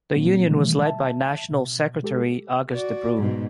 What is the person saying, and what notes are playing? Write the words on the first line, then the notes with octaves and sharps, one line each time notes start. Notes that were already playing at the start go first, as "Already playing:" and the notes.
The union was led by national secretary August De Bruyne.
A#2 F#3 A#3 C4
B2 D#3 E3 G3 A3
E5 A5
B2
G#3 G4 A4
F#4 D5
G#2 B2